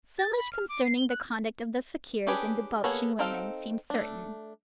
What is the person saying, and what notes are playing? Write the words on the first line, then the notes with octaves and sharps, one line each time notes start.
So much concerning the conduct of the Fakiers in debauching women, seems certain.
A6
B5
F6
D6
C7
G7
F#6
C#4 D4 G4 G#4 B4
A#3 B3 G#4 A4 C#5
C4 D#4 A4 F5 G5
A3 D4